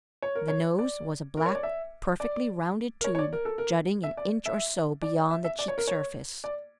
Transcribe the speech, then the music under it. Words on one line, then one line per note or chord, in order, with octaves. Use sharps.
The nose was a black, perfectly rounded tube jutting an inch or so beyond the cheek surface.
C#5
A#4
C#5
D5
A#4
C#5
D5
E5
D5
A#4
C#5
C#5
D5
A#4
A4
A#4
E5
D5
E5
D5
E5
E5
D5
C#5
A#4
C#5
D5